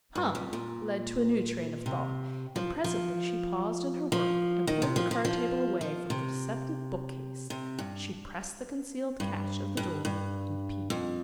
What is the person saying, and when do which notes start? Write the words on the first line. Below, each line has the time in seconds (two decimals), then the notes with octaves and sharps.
"Tongue" led to a new train of thought, and presently she paused in her work, and pulling the card-table away from the deceptive book-case, she pressed the concealed catch of the door, and peeped in.
0.15 G2
0.35 F2
0.53 A#2
1.86 C3
2.56 F3
2.84 F3
4.12 F3
4.67 D#3
4.82 C3
4.96 F3
5.11 F3
5.25 F3
5.81 F3
6.10 C3
7.50 C3
7.79 G2
9.20 G2
9.77 G2
10.05 G2
10.90 F2